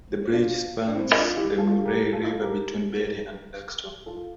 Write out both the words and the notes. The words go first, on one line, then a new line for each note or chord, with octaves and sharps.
The bridge spans the Murray River between Berri and Loxton.
D4 F4
D4
C4 E4
D4 F4
E4 G4
F4 A4
G4 A#4
F4 A4
G4 A#4
F4 A4